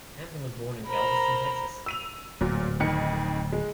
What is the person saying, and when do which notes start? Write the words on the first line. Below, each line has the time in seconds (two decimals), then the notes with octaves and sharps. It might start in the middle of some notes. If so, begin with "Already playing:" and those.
Hampton was born in Galveston, Texas.
0.87 A#4 C5 A#5 B5
1.86 E6 D#7 F7
2.41 D1 A#2 F#3
2.80 F2 D#3 C#7
3.52 G#3